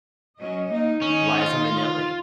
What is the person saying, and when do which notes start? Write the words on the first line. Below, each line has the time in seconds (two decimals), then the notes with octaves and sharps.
Liza Minnelli.
0.42 F#3 C#4 D#5
0.72 A#3 D#4
1.02 D#3 C#4 D#4
1.41 F4